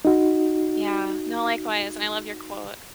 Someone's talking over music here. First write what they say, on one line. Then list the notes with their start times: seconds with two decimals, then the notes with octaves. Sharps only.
Yeah, no, likewise, and I love your quote.
0.05 D#4 F#4